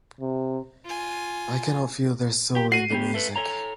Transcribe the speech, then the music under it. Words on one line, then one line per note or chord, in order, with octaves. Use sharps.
I cannot feel their soul in the music.
C3
F4 G#5
G4
F#4 C7 D#7
D3 B3 G4
A3 A4 B4
A4 C#5 A#5